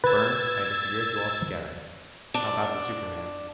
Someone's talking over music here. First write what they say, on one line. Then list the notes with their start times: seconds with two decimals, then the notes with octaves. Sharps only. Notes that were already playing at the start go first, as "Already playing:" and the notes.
"Burne, I disagree with you altogether; how about the superman?"
0.04 B4 E6 G#6 A6
2.34 D4